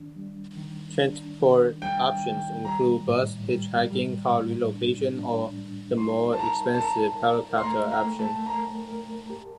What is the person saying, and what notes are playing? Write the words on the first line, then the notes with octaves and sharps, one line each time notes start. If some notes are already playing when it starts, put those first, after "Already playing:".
Transport options include bus, hitchhiking, car relocation or the more expensive helicopter option.
Already playing: D#3 D4
G3
D#3
D4
D#3
G3 G5
D#3
G3 A#5
A2
G3
G3
A2
D4
D4
G3
D#4 C6
A5
A#4 A#5
A5
A#4 A#5
A#4
C6
A3 A#5
A#5
A3
A5
A#4 A#5
A#4
G4